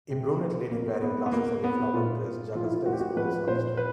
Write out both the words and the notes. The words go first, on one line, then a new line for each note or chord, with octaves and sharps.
A brunette lady wearing glasses and a flowered dress juggles tennis balls on the street.
C3
F3
B2 A#3
B2 B3
B3
B2 A#3
B2 B3
A#2 F4
A#2
F3 F4
E4
F4
A2 F#4
G4
F#4
F3 B4
A#2 C5
B4